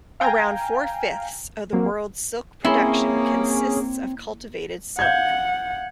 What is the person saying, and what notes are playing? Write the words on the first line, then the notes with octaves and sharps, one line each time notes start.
Around four-fifths of the world's silk production consists of cultivated silk.
F5 G5 G#5 A#5
F#3 A#3 C4
A#3 C4 C#4 E4 G#4 C#5 C6
F5 F#5 G6 G#6